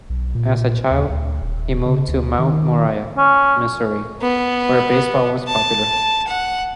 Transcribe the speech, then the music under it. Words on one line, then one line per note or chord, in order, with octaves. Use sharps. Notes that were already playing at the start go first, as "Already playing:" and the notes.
As a child, he moved to Mount Moriah, Missouri, where baseball was popular.
B1
A#2
D#2
D2
D#1
C#3
D2
D#3
C#4
B3
A5
F#5